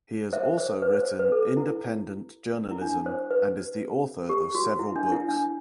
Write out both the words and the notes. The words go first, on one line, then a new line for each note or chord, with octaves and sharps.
He has also written independent journalism and is the author of several books.
C5 E5
C5
B4
C5
B4
A4
E4
E4
D4
C5
B4
G4
F#4
E4
D4
E4
D4